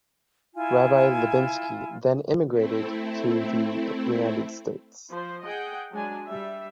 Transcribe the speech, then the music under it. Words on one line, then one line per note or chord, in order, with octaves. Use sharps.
Rabbi Lubinsky then emigrated to the United States.
E4 F4 G#5
A3 C4 E4
F3 C5
G#4 D#5 F#5 G5
F#3 G#3 D4 G#5
G3 E5